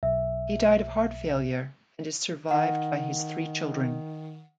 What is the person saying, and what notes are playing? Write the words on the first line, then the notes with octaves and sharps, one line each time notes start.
He died of heart failure and is survived by his three children.
B1 E5
D#3 F#5